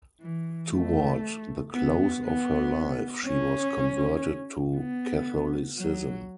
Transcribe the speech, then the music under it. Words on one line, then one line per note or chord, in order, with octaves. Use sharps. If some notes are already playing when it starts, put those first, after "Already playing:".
Toward the close of her life she was converted to Catholicism.
E3
A3
B3
B3
C#4
B3
F#3